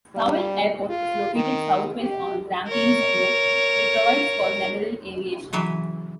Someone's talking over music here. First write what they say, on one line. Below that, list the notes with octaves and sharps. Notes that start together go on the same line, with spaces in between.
Stawell Airport is located southwest on Grampians Road; it provides for general aviation.
G3
F4
D#3
G4
A#4 C#5
C#3 E3 F#3 E5